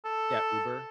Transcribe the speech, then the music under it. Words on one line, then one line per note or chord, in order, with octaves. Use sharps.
Yeah, Uber,
A4